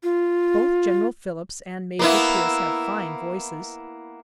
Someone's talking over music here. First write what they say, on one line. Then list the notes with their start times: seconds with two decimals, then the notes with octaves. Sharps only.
Both General Phillips and Major Pierce have fine voices.
0.03 F4
1.99 A#3 B3 E4